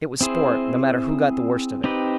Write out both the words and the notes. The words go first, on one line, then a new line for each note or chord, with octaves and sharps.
It was sport, no matter who got the worst of it.
C4 E4 G#4 C5
C4 D#4 G4 B4